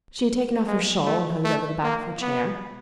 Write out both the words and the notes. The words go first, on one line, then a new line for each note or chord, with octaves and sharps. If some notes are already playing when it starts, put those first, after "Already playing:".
She had taken off her shawl, and hung it over the back of her chair.
G#3
A3
A3
A#3
B3